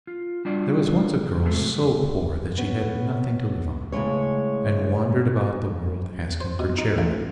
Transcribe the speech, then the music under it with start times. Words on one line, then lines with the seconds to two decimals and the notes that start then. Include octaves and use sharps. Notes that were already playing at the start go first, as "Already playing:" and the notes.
There was once a girl so poor that she had nothing to live on, and wandered about the world asking for charity.
0.07 F4
0.45 G3 D4 F4 F#4 D5
1.45 G#2 C3 F#3 G#3 A3
2.58 B3 C#4
3.92 A2 C#3 F#3 G#3 C#5
6.41 C5
6.59 B2
6.78 D#4
6.98 A1